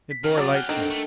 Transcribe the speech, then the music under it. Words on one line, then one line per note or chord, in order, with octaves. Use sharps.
It bore lights now.
B6
C#3 F6
F#3 F#4 D6 A6
G#4 F#5 G5 F6 F#6
G2 D#3 C4 D4 A4
A3